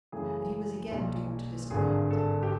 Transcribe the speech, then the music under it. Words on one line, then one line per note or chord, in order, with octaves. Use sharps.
But he was again doomed to disappointment.
F#2 C#3 E3 A3 G#4
B1 A#2 G3
G#1 G2 D3 G#4
A4
G4